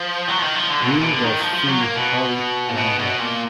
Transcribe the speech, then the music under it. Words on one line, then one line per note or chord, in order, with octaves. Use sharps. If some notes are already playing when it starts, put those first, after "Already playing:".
We will see how it plays out.
Already playing: F3
F#3
F3
D#3
F3
D3
B2
A#2
B2
D3
D#3
F3
F3
F#3
A#3
B2
A#2
B2
B2
A#2